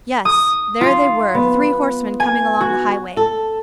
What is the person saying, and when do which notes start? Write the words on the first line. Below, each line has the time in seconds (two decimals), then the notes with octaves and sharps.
Yes, there they were, three horsemen coming along the highway.
0.25 D#6
0.81 F4
1.34 B3
2.20 G#5
2.61 F#4
3.17 A4